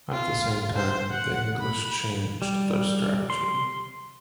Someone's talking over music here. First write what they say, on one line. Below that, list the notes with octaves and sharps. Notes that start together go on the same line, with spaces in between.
At the same time, the English changed their strategy.
F4
C5
F#5
B5
G3
C6